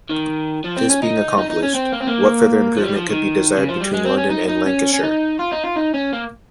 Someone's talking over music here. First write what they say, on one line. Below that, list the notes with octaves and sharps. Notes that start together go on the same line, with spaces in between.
This being accomplished, what further improvement could be desired between London and Lancashire?
D#3
F3
C4
C#4
D#4
D#4
D#4
C#4
C4
A#3
C4
A#3
F3
G3
F3
D#3
C#3
F3
G3
G#3
C4
C#4
D#4
D#4
C#4
C#4
D#4
F4
D#4
F4
D#4
C#4
A#3